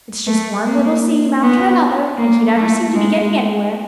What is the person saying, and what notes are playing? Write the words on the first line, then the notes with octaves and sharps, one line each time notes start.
It's just one little seam after another and you never seem to be getting anywhere.
A3
A#3
B3
A#3
A3
G#3